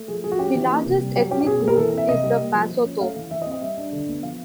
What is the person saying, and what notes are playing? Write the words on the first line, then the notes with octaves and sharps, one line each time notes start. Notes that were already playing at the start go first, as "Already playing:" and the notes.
The largest ethnic group is the Basotho.
Already playing: A3
F3 G#4
F3 G#4
F#4
C#4 G4
E3
A#3
C3
G3
F#3 G4
C#4 G4
G4
B2 G#4
A#3
A#4
E3 A4
C4 E5
C3 D#5
G3
A#3
F3
F3
C#4
A3 F5
E3
E3 E5
D#5
C4
D#5
G3 E5
D4
D3
B3
F3 F5